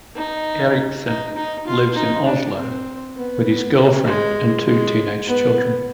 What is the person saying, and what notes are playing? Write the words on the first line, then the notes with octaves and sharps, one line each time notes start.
Erichsen lives in Oslo with his girlfriend and two teenage children.
D#4
D#4
D#4
F4
D#4
D4
C4
B3
G#3
G#3
B3